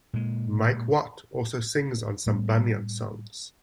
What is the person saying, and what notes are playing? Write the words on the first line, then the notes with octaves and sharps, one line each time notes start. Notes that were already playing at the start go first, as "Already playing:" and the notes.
Mike Watt also sings on some Banyan songs.
A#2 G#3
A2 G3 A3 B3